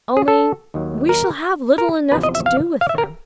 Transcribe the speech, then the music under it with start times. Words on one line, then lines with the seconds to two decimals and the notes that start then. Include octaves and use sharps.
Only we shall have little enough to do with them.'
0.17 G#4
0.28 A4
0.74 D#2 D#3 F#3
1.09 A#4
1.78 A#4
2.12 E2 C3 F3 B4
2.23 D#5
2.35 E5
2.46 F5
2.81 F5
2.89 E5
2.98 A#4